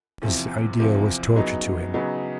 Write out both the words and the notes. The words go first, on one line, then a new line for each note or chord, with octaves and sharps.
This idea was torture to him.
E2 C3 F3
E2 C3 F3
C#3 F#3 B3 D#4
C#3 F#3 B3 D#4